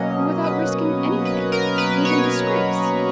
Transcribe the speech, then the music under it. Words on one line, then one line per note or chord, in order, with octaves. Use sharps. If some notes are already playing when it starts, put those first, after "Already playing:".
And without risking anything--even disgrace!
Already playing: B2 F#3 A#3 C#4 D#5
B4
B4
A#4
B4
C#5